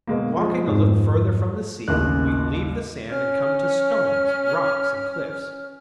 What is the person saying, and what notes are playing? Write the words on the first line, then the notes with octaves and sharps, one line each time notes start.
Walking a little farther from the sea, we leave the sand and come to stones, rocks and cliffs.
B2 G#3 A#3
F3 G#3
F2 G#2
A1 D#2 C#3 F#6
C#4 F6